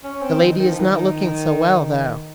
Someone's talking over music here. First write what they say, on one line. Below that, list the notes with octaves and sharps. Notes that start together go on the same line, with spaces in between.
The lady is not looking so well, though.
C#4
C4
D#3
D#3
F3
D#3